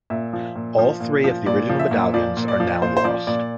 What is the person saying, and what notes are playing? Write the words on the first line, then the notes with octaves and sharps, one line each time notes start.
All three of the original Medallions are now lost.
A#2 E5
F3
A#2
F3
A#2
F3
A#2 D5
F3
E5
A#2
F3 D5
A#2
D5
F3
A#2 C5
C5
F3 D5
A#2 D5